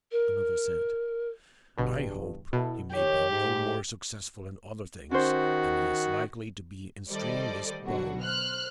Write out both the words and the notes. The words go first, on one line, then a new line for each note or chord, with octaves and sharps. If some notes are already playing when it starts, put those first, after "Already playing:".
Another said, "I hope he may be no more successful in other things than he is likely to be in stringing this bow."
A#4
G1 E2 G2 B2
B2 E4 A4
D#3 G4 C#5
G#2
D#3 C#4 F#4 C5
D#3 G3 A4 C5 D5 D#5
B2 D3 F#3 D4 F#4
C5 F6 F#6